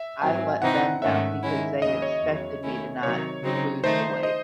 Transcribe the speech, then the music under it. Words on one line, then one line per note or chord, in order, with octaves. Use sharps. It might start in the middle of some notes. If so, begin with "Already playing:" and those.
I let them down because they expected me to not lose the weight
Already playing: E5
G#2 F#3 C4 G#5
C3 E3 C4 D#4 F#5
G#2 D#3 A3 C#4 E5
D#3 G#3 C#4 E4
D#2 C#3 F#3 D#5
C#5
E2 C#3 F#3
D#3 A3 C#4 E4
C3 D#3 F#3 C#5
C#3 F#3 C4 D#4
D#3 A3 D#4 C5
D#5